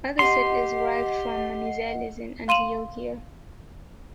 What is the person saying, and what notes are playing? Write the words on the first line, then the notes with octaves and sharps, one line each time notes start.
Other settlers arrived from Manizales and Antioquia.
G4 D#5 F#5 C6
F5 C6 D#7 E7 F#7